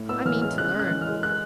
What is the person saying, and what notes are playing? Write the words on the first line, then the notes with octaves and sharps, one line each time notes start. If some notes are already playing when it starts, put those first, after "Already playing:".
I mean to learn.
Already playing: A2
B3 E6
E3 F6
G#3 F6
C#3 F#6
C#4
F#6
E3
F6
G#3
F#6